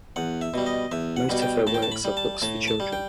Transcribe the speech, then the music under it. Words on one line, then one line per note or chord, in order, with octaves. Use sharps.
Most of her works are books for children.
E2 F#5
E5
B2 G3
D#5
E2 E5
F#5
B2 G3
G5
A2 A5
G5
A5
B5
G3
A5
A2 A5
A5
G3
G5